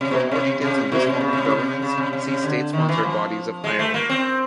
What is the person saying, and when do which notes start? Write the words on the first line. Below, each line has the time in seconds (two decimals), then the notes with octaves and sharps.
For more details on this form of governance, see state-sponsored bodies of Ireland.
0.01 C3
0.11 B2
0.31 C3
0.61 C3
0.92 B2
1.07 C3
1.21 C#3
1.33 C3
1.45 C#3
1.52 C3
1.82 C#3
1.97 C3
2.13 C3
2.28 C3
2.43 D3
2.73 D#3
2.89 E3
3.03 F3
3.64 G#3
3.79 A3
3.94 A#3
4.10 C4